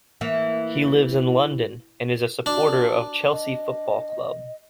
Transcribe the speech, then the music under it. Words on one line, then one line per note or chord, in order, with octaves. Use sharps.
He lives in London and is a supporter of Chelsea Football Club.
E3 A#3
D4 F#4
D#5